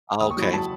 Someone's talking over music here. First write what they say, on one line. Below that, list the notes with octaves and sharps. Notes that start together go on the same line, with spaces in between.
Oh, okay.
D#2 D#6
C#6
F#3
B5
F#3 A5